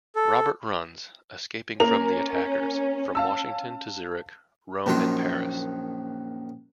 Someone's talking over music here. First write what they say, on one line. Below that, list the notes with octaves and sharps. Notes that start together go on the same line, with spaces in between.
Robert runs, escaping from the attackers, from Washington to Zurich, Rome and Paris.
A4
A#3 C#4 A#4 F7
F5 A5 E6
A#1 F#2 D#3 F#3 C6